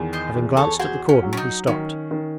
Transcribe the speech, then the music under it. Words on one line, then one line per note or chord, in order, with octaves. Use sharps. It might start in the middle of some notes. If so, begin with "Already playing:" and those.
Having glanced at the cordon he stopped.
Already playing: E2 D#3
C5 D#5
E2
A4 C#5
F#4 G#4 C5
C#4
F#3
C#4
D#4
D#3 C#4
D#3